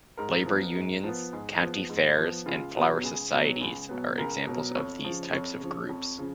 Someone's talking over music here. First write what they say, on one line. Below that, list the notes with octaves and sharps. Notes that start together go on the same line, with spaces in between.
Labor unions, county fairs, and flower societies are examples of these types of groups.
G#2 A#4
F3 B3
G#2
F3 B3
G#2 G#4
F3 B3
G#2
F3 B3
C#2 F4
B2 F#3 B3
C#2 G#4
B2 F#3 B3
C#2
B2 F#3 B3
C#2 A#4
B2 F#3 B3
F2 C#5
C#3 F3
F2 C#5
C#3 F3
F2
C#3 F3